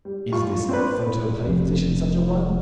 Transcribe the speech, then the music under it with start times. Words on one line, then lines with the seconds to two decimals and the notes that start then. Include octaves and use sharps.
Is this photoplay physician such a one?
0.05 G3
0.32 F4 C#6
0.69 C4 D4 B4
1.46 F1 F2